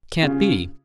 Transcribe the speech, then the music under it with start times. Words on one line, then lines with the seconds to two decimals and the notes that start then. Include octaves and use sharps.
Can't be.
0.22 C#3 G3 C#4 F4 G#4